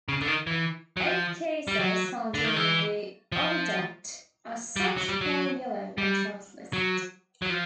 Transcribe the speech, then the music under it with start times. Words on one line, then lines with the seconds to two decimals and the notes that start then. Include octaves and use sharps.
Egg cases found in the oviduct are soft, pale yellow and translucent.
0.08 C#3
0.22 D3
0.27 D#3
0.47 E3
0.97 F#3
1.03 F3
1.68 G3
1.79 F#3
2.34 D3
2.44 D#3
2.56 E3
3.32 F3
4.76 G3
4.84 F#3
4.97 F#3
5.09 G3
5.21 F#3
5.98 G3
6.73 F#3
7.42 F#3
7.50 F3